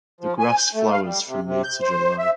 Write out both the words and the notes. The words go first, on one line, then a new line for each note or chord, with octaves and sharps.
The grass flowers from May to July.
F3
G#5
G6
A3
F5
G3
C3
C3
G6
C5
E5